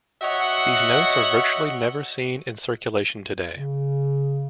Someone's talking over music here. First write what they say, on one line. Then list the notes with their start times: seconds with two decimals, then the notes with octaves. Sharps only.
These notes are virtually never seen in circulation today.
0.22 F#4 C#5 D#5 E5 F#5
3.55 C#3